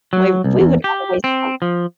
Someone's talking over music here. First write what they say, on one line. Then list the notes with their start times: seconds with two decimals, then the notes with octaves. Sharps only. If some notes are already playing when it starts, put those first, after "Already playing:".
we we would always, uh
0.13 F#3
0.44 C2
0.60 E2
0.84 G4
1.24 C4
1.62 F3